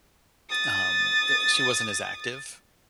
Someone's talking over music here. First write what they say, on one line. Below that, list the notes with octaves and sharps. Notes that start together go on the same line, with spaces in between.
um, e She wasn't as active,
D#6 A6